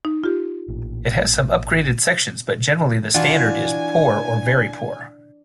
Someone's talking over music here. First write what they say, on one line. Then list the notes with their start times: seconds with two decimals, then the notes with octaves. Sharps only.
It has some upgraded sections, but generally the standard is poor or very poor.
0.05 D#4
0.24 F4 G4
0.68 A1 A#2
3.14 E3 D4 F4 F#4 G#5